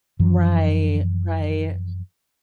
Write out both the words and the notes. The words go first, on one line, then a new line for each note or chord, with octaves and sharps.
Right, right.
F#2 E3 F3